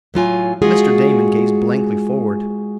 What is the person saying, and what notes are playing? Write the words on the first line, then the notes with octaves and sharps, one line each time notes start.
Mr. Damon gazed blankly forward.
A2 F#3 F4 G#5
G#3 F4 F#4 G#4